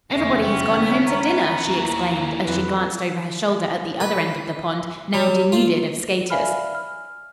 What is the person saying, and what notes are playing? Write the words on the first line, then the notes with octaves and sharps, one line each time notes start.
"Everybody has gone home to dinner!" she exclaimed, as she glanced over her shoulder at the other end of the pond, now denuded of skaters.
F1 E2 D3 G#3 C#4 E5
B3 G5
A#5
D#2 E3 F#4
F2 F#3 B4
B4
F#3
F4
D5 E5 F5 G#5 B5 F6
F6